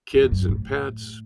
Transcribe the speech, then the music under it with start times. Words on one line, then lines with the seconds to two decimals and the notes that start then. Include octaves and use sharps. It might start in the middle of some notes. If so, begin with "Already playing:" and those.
kids and pets,
0.14 F#2
0.22 E2
0.31 F#2
0.49 A2